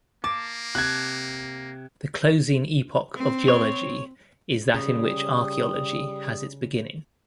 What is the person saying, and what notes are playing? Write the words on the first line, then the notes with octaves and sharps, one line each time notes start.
The closing epoch of geology is that in which archaeology has its beginning.
A#3 A5 D6
C3 A5 F#6 G#6
C4
C#5
C#3 G3 D#6